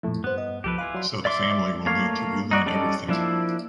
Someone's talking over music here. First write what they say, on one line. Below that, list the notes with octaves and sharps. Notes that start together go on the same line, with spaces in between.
So the family will need to relearn everything.
F2 A#2 F3 A3 E4
G2 B3 C5 F#6
D#5
C2 F3 G4 A4 B4
E4 F4 B4 F5 G#5 D6
F#3 D5 C6
D5 E5 C6 D6
A3 A#3 C#5 F5
D#4 F#4 D5
G3 C#4 D#4 A4 D5
F3 A#3 D4 E4